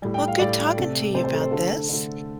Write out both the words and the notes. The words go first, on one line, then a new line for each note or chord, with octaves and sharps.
Well, good talking to you about this.
A2 G3
G5
F5
A2 G3 D5
C3 A3
C3 A3 C5
C5
A4
C5
D3 A3 A4
D3 A3